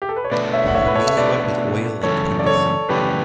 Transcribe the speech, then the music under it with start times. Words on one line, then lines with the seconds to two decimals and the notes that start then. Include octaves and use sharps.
He mainly worked with oil on canvas.
0.02 G4
0.09 A4
0.16 B4
0.25 C#5
0.31 B2 A3 D4 B4 D5
0.53 C#5 E5
0.67 F#5
0.75 C#5 E5
0.86 B4
0.95 A4 C#5
1.07 E5
1.17 B2 A3 D4 B4 D5
2.03 F#2 C#3 E3 A3 A4 C#5
2.39 D5
2.46 A4 C#5
2.89 F#2 C#3 E3 A3 G4 B4